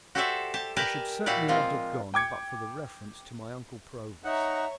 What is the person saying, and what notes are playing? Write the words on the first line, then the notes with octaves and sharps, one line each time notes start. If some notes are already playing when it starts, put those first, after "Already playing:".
I should certainly not have gone, but for the reference to my Uncle Provis.
F#4 G4 A4 C5 D5 E5
G4 A5
G4 A#4 B4 D5 G#5 A5
A#2 G3 E4 F#4 G4 D5
F3 G#3 A#3 C4 F4
G5 D6 G#6 C#7
D#4 C#5 E5 F#5 A#5 C#6